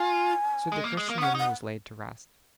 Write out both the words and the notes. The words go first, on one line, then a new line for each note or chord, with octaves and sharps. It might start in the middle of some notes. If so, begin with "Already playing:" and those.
So the Christian woman was laid to rest.
Already playing: F4 G#5
G#3
A#3
G#3
A#3
B3
C#4 F#5
D#4
F#5